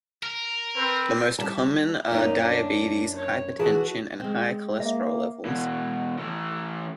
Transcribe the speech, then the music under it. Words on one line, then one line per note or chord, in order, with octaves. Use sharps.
The most common are diabetes, hypertension and high cholesterol levels.
A#4
C4 B4
G3 A5
F#2 A#3 D#4 D5
D4
C#5
E3 F#4 G#4 A5
G#3 C4
A#3 E5
B2 E3
E3 A3